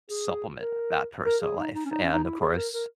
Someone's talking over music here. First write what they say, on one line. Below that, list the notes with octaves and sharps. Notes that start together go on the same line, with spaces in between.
supplement that personal life. And, of course
G#4
A#4
A#4
G#4
D#4
D#4
C#4
D#4
C#4
D#4
E4
G#4
A#4
A#4